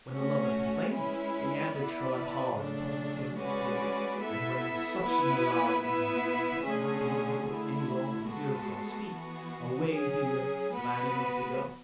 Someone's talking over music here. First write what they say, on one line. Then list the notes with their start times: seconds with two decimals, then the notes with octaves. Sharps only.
When the lover complained, Leander trod hard upon his gouty toes, and rang such an alarum in his ears, that, not being able any longer to hear himself speak, away he limped, glad enough to go.
0.10 A3 C#4 F#4
0.91 G#3 C#4 E4 B4
1.72 B3 E4 B4 D5
2.55 C#3 F#3 A3 D4
3.37 G#3 C#4 F#4 B4 D5
4.18 B3 E4 A4 E5
5.01 B3 E4 B4
5.81 B3 E4 B4 E5
6.64 D3 A3 C#4 G#4
7.46 D3 A3 E4
8.27 G#3 B3 F#4 A4
9.10 E3 B3 F#4
9.92 F#3 C#4 G#4
10.73 B3 F#4 B4